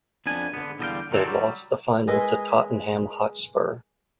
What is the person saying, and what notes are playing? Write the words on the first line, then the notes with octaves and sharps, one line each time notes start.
However they lost the final to Tottenham Hotspur.
F2 B3 D4 G#5
D3 B3
E2 D3 G3 D#5 F5 G5
D3 D#3 G#3 C4 A4
F#3 G3
G#3 E4 A#4 B4 D#5 G#5